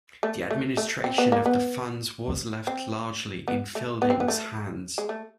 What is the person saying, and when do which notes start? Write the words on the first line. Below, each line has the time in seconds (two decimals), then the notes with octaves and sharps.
The administration of the funds was left largely in Fielding's hands.
0.23 A3
0.51 A3
0.77 A3
1.04 C4
1.18 B3
1.32 A#3
1.46 B3
2.67 C4
3.48 B3
3.75 A3
4.02 B3
4.10 C4
4.20 B3
4.28 A3
4.98 G#3
5.09 A3